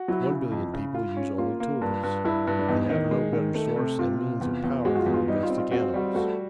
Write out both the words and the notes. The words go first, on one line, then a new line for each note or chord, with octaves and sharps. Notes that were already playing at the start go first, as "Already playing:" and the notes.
One billion people use only tools, and have no better source and means of power than domestic animals.
Already playing: F#4
F#3 E4
C#3
F2
C#3
F4
C#4
A#3 F4
A#3
G2
G2
G2 E4
G2
D4
E2 D#4
D#3
G#3
D#3
A3
C3
C3 F4
C3
E2
E2
G#3 F#4
F#4
F4
E2
F4
G3 D#4
F4
C4
F4
C4 F#4
G3 F#4
A3 F#4